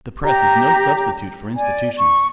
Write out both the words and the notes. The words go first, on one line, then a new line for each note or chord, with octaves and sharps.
The press is no substitute for institutions.
G4 A#5
D5 G#5
C#6